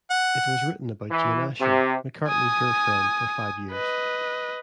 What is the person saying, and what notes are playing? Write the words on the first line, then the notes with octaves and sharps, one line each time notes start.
It was written about Jane Asher, McCartney's girlfriend for five years.
F#5
E3
C3
G#5 D#6
B4 D#5